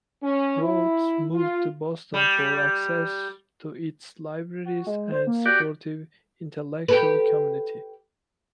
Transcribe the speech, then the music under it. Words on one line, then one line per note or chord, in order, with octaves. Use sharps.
Rhodes moved to Boston for access to its libraries and supportive intellectual community.
C#4
E4
F4
G3
F#4
G#3
C5
A#3
F#4 G4 D5
G4 A4 B4